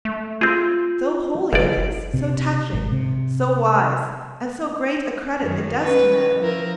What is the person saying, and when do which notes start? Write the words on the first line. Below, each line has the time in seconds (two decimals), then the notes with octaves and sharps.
So holy it is, so touching, so wise and so great a credit it does to man.
0.05 A3
0.41 C4 F4 G#4
1.53 F#1 B1 D5
2.14 C3
2.73 G#1
2.92 C3
5.40 F#2 D#3
5.82 C#4 B4
6.38 F3 E4 A#4